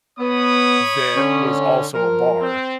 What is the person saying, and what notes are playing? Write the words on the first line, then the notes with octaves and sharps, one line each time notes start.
that was also a bar,
B3 C#5 B5 D#6
D3 C#4
F3 A#4
C4